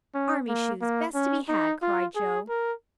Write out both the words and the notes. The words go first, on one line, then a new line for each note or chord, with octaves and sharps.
"Army shoes, best to be had," cried Jo.
C#4
A#3
A#3
C#4
D#4
F4
G#4
A#4